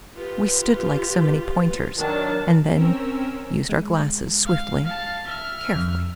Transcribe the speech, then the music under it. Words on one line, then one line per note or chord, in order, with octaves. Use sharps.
We stood like so many pointers, and then used our glasses, swiftly, carefully.
F4 G4 B4
D#3 F#3 D4 F#4 A#4 A5
C4 C#4 A#4 E6
G#3
F5
F5 A5
E5 F6
F2